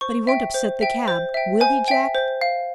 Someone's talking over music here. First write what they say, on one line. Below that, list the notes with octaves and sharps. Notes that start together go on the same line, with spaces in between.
"But he won't upset the cab, will he, Jack?"
C5 C#6
E5 G5
C5
E5 G5
C5
E5 G5
C5 G#5
E5 G5
C5
F5